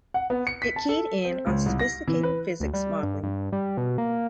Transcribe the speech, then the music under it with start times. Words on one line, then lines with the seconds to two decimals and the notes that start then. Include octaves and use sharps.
It keyed in on sophisticated physics modeling.
0.14 F#5
0.30 B3
0.47 C#7
0.62 B6
0.76 A5
0.89 A4
1.25 C4
1.46 C#2
1.66 C2
1.79 A#6
2.08 E3
2.23 B4
2.60 D2
2.74 G3
3.03 G2
3.23 G2
3.53 G3
3.77 B2
3.98 A#3